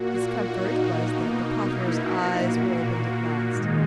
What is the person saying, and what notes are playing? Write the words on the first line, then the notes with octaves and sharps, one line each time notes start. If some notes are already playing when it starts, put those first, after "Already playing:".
His comfort was that the pater's eyes were opened at last.
Already playing: A#2 A#3 F#4
D#4
B2 A#3
E4
F#4
A#2 A#3
G#2 D#3 G#3 D#4